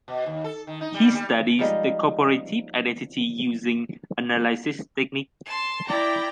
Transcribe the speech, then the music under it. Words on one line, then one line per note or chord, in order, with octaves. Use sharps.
He studies the corporative identity using analysis techniques.
B2
D#2
A4
D#3
D#4
G3
G3
F3 G3 G#3 D#4
A5 C6
E4 D5 G5 A#5